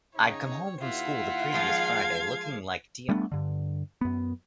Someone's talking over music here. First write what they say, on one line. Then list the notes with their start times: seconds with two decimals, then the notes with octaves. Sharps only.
I'd come home from school the previous Friday looking like Dion.
0.16 C#3 D#4 C#5
0.81 D#2 E4 F4 F#5
1.52 F3 G#3 F5 B5 G#6
3.09 G3 A3 B3 D4
3.32 G2 D3
4.01 F#2 B3